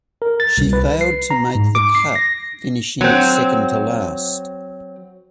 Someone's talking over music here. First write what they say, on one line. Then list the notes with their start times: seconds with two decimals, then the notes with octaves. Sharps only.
She failed to make the cut, finishing second to last.
0.22 A#4
0.40 A6
0.58 C2
0.73 B4
1.01 C7
1.30 A#5
1.55 G#2
1.75 D6
1.95 C7
2.15 A#6
3.01 F#3 C4